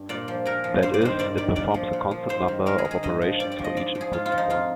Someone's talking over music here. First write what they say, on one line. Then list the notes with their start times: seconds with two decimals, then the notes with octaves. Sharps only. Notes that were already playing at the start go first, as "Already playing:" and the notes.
That is, it performs a constant number of operations for each input symbol.
Already playing: G2
0.09 A#2 D5
0.28 F3
0.45 A#2 A#4
0.64 F3
0.83 G2 C5
0.94 D5
1.01 D#3 C5
1.19 G2 D5
1.37 D#3 D5
1.56 A#2 D5
1.74 F3
1.93 A#2
2.11 F3
2.29 G#2 C5
2.48 D#3
2.66 G#2 A#4
2.78 G#4
2.85 D#3
2.91 G#4
3.03 G2 D#5
3.22 F3
3.40 G2 D5
3.52 D5
3.59 F3
3.64 D#5
3.76 G#2 D5
3.95 F3
4.01 G#4
4.13 G#2 F4
4.26 F4
4.32 F3
4.38 D#4
4.50 F2 F4